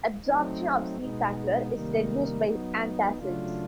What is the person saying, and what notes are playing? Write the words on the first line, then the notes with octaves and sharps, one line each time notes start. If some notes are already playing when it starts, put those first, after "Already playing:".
Absorption of cefaclor is reduced by antacids.
F#3 A3 C4 D#4
B2 G#3 B3 D#4
C3 D#3 G3 A#3 D#4
F#3 B3 D#4
C#3 F#3 A3 D4 F4